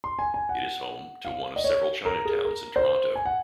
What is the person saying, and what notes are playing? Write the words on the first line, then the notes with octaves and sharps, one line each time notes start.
It is home to one of several Chinatowns in Toronto.
C6
G#5
G#5
F#5
F5
D#5
C#5
A#4
G#4
A#4
C5
G#5
F#5